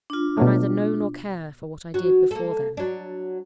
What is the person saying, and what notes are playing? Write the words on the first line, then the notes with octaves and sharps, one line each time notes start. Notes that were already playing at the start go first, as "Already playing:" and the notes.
I neither know nor care for what I did before then.
D4 F4
B2 F#3 A3
F#3 F#4
A#3 A4
F#3 D4